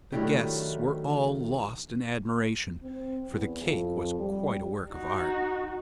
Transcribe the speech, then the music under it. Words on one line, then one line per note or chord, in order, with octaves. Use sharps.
The guests were all lost in admiration, for the cake was quite a work of art.
D#3 F#3 A3 D4 E4 G4
C4
E2
F2
G3
D#4 F#4